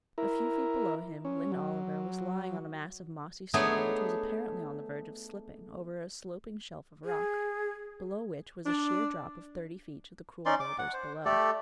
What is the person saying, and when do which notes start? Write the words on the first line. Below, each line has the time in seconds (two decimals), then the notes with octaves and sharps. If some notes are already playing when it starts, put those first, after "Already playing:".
A few feet below him Lynde Oliver was lying on a mass of mossy soil which was apparently on the verge of slipping over a sloping shelf of rock, below which was a sheer drop of thirty feet to the cruel boulders below.
0.18 E4 A#4
1.25 C#4
1.52 F#3
3.54 A3 B3 D4 D#4 G#4 C#5
7.05 G#4
8.65 D4
10.46 C#4 D#4 D5 C6
10.60 D6
10.79 F#5
10.93 C5
11.25 A3 G4 A4 D5